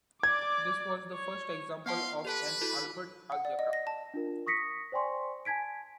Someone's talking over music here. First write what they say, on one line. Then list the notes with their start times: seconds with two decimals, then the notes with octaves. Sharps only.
This was the first example of an Albert algebra.
0.23 D5 D6 G#6
1.13 C#5
1.86 B3 F5 F#5 A5 C6
2.25 G4 A4 B4 A5
2.61 E4 F#4 A4
3.32 F#5
3.45 D5
3.59 D#5
3.73 A#6
3.87 A5
4.14 D4 F4 A#4
4.46 C#6 D#6 A#6 B6 C#7
4.92 C5 D5 G5 G#5 C6 C#6
5.45 G#5 A5 G#6 B6 D7